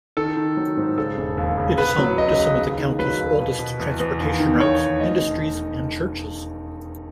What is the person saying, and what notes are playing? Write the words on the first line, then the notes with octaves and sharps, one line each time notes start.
It is home to some of the county's oldest transportation routes, industries and churches.
D#3 A4
D#3
F#3
G#2
C#3 A4
E1
D#2
C#3
B3 B4
F#3
C#2 D#5
D#5
C#3
D#2
D#3
F#3 B4
D#2
B2
B2
E2
E2
D#2
D#3
D#2 C#5
D#3
A3 D#5
E1